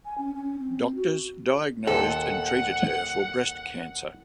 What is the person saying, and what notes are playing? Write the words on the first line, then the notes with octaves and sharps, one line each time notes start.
Doctors diagnosed and treated her for breast cancer.
G#5
C#4
C#4
C4
F#4
D#2 A#2 A4 F#5